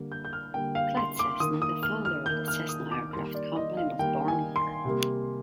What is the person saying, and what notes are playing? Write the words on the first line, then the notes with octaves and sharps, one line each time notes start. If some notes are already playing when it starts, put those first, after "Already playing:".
Clyde Cessna, the founder of the Cessna Aircraft Company, was born here.
Already playing: D3 G3 A#3
G6
G6
F6
D3 G3 A#3 G5
F5
C6
D6
D#3 A#3 D#6
D#6
F6
F6
D#3 A#3 G6
F6
D#6
D6
D#3 G3 A#3 C6
D5
D#5
F5
D#3 G3 A#3 G5
G#5
C6
C3 G3 A#3